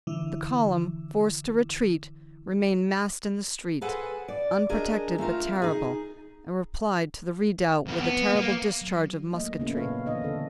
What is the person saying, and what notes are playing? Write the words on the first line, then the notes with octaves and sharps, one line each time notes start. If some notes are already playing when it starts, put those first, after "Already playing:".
The column, forced to retreat, remained massed in the street, unprotected but terrible, and replied to the redoubt with a terrible discharge of musketry.
D3 E3 E4
G#4 A4 B4 C5 F#5 G#5
D5
D4 G#4 A#4 D#5
A3 C4 F4 A#4
D#4 G#4
F2 E3
B3
A#3
F#3
A3 A#3 D#5
C#3 A#3 B3 C#4 E4 G#4
A#2 C4 A4 B4 C#5 F5
C#3 E3 C4 D4 D#5
D3 A4